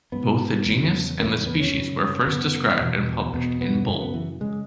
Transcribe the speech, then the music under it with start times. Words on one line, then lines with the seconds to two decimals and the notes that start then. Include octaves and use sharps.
Both the genus and the species were first described and published in Bull.
0.12 G#2 B3
0.65 E2 C#3
1.19 E2 C#3 A#3
1.33 G#3
1.46 B3
1.60 C#4
1.74 F#2 C#3
2.27 F#2 C#3 B3
2.80 E2 B2
3.33 E2 B2 B3
3.61 B3
3.87 F#2 C#3 C#4
4.01 B3
4.14 E3
4.40 C#3 G#3